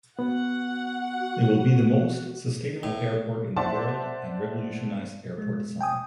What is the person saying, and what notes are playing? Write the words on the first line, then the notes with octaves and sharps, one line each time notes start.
It will be the most sustainable airport in the world and revolutionize airport design.
B3 F#4 F#5
A2
C5 D5 E5 F#5 A5 C6
G#3
G5 G#5 D#6